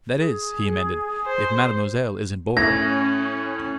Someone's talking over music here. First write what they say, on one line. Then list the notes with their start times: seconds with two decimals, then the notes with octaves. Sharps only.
"That is," he amended, "if mademoiselle isn't bored ..."
0.15 G#4
1.26 C5
2.57 A2 C#4 G#6 A#6